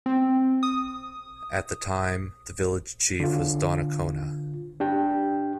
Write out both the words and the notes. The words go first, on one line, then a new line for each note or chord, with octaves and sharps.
At the time, the village chief was Donnacona.
C4
D#6
D3 F4
D4 G4 G5